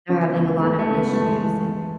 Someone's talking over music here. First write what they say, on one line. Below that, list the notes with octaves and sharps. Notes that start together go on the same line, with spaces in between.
they're having a lot of issues. And
C#3 C#4
B3
C#2 B3
B3
C#3 A3
A3
C#2 C#4
B3
F#2 A3
G#3
E3 A3
A2